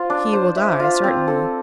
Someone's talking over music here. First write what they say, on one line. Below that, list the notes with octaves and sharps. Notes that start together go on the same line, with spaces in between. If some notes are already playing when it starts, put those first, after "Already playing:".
"He will die, certainly."
Already playing: F4 C5
D4
C5
E5
F4
C4
A4